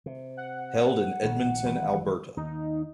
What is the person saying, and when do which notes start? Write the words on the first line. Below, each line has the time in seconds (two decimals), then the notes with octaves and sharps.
Held in Edmonton, Alberta.
0.06 C3
0.37 F#5
1.23 A#1 A#2 D#3
1.63 G#1 E3 G3
2.37 D#2 D#4